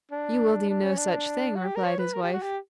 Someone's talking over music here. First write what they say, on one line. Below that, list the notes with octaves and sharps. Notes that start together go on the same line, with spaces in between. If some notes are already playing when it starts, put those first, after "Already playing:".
'You will do no such thing,' replied his wife.
D4
D4
C#4
D4
F#4
G4
A#4
C#5
B4
A#4
G4
F#4
G4